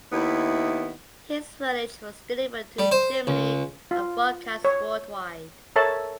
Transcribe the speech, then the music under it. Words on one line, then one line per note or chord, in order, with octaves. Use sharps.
His footage was delivered to Germany and broadcast worldwide.
D#2 D#3 B3 E4
G3
C5
C#2
F4
C#5
A4 A#4 C#5 E5 A5